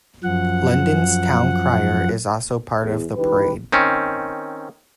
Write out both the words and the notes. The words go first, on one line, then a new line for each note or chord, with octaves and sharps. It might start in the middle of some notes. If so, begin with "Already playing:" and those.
London's town crier is also part of the parade.
F#2 F3 F#5
E2
C#2 E3 D#4 G4 B4
D#3 C4 C#4